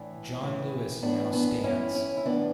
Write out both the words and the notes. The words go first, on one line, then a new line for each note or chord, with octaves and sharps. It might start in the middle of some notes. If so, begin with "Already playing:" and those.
John Lewis now stands.
Already playing: A2 E3 D4
A2 E3
A2 E3 B3 D4
B3 D4
A2 E3 C#4 E4
C#4 E4
E4
A2 E3 B3 D4